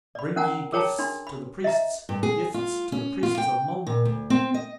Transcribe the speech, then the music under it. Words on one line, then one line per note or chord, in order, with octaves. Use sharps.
Bring ye gifts to the Priests, gifts to the Priests of Mung.
D5 B5
C#4 A#4 F#5 G#5 A#5
G#4 A#4 C#5 G5 A5 A#5
D4 B5 C6
B5
D#5 E5 A#5
G2
G#4
F4
C#4
F4
G5
A#2
D2
C4
D#5